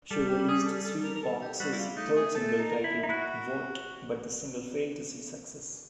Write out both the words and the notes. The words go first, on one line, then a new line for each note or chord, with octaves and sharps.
She released Sweetbox's third single titled "Wot", but the single failed to see success.
G3 A4
G4
G#4
A4
A4
A#4
A#4
A4
G4
G3 F#4
E4
F4
A3 D#4
G#4
A3 A4
D#4
A#4
E4
D#4
E4 F#4